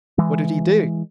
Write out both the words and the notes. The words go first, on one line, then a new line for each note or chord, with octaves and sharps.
What did he do?
E3 G#3